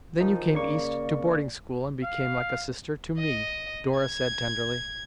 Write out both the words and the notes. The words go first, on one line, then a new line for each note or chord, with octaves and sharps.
"Then you came East to boarding-school and became like a sister to me," Dora said tenderly.
D#3 F3 D#4
C#3 A#3 D5 C#6
F5
D#5
G#6